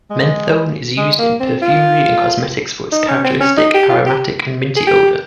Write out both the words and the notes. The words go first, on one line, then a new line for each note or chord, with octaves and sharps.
Menthone is used in perfumery and cosmetics for its characteristic aromatic and minty odor.
G#3
G#3
A#3
C4
F4
D#4
C#4
C4
C#4
D#4
G4
F4
G4
G#4
G4